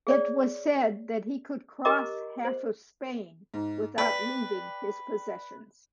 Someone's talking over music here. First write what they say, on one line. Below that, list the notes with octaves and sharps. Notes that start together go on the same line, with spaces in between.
It was said that he could cross half of Spain without leaving his possessions.
G#4 C#5 D5
G4 A#4 D#5 A#5 D6
C5
G#2
B4 D5 G5